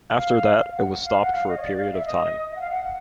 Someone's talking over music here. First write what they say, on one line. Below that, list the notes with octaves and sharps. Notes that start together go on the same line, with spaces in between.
After that, it was stopped for a period of time.
F5
F5
F#5
F5
F#5
F5
D#5
C#5
D5
F5
E5
D#5
E5
F#5
F5
F#5